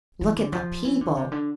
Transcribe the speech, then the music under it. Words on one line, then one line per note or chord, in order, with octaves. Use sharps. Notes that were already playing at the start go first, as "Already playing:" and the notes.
"Look at the people!"
E3
D3
F3
E3
D3
C3
D3